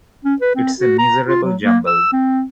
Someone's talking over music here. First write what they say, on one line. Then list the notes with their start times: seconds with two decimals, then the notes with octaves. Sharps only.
It's a miserable jumble.
0.25 C#4
0.41 B4
0.55 C4
0.80 F#4
0.98 A#5
1.28 F4
1.44 F#3
1.63 A#3
1.87 E6
2.12 C4